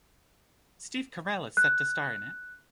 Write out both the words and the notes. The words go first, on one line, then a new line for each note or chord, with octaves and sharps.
Steve Carell is set to star in it.
F#6